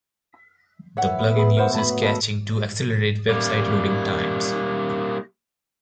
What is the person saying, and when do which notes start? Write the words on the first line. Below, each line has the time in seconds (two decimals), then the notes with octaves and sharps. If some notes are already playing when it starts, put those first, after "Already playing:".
The plugin uses caching to accelerate website loading times.
0.97 E3 C#5 E5 F#5
1.19 B3
1.36 G#4 B5
1.57 A2 F#3 B3 A#4 C5 F#5
1.74 A5 B5
2.02 A4 B4 D#5 F5 B5
3.29 G3 A#3